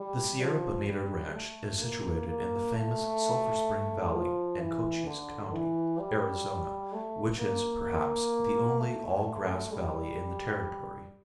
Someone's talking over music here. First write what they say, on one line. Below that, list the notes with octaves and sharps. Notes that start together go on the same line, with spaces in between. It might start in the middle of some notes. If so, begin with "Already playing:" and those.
The Sierra Bonita ranch is situated in the famous Sulphur Spring valley in Cochise County, Arizona, which is, perhaps, the only all grass valley in the Territory.
Already playing: G3
F3
G3
A3
A#3
A#3
A3
F3
E3
D3
E3
G3
A3
A#3
A3
G3